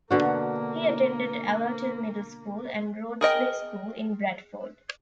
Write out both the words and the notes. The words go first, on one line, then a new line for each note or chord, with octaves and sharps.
He attended Allerton Middle School and Rhodesway School in Bradford.
B2 D3 A#3 F#4
G#4 A#4 D#5 G5